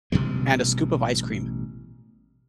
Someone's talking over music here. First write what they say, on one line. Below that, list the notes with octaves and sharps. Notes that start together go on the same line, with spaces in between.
and a scoop of ice cream.
A1 B2 G3 G#3